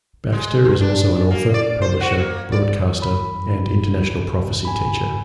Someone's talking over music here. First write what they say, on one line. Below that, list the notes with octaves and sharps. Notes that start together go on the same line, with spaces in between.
Baxter is also an author, publisher, broadcaster and international prophecy teacher.
G#3
B2
D4
A#3
D5
C5
F#4
A#3
D5
E3 C#5
B5
F#2 E3 G3
A#2 D3 D#3
F2 G#2 D4 G#5 B5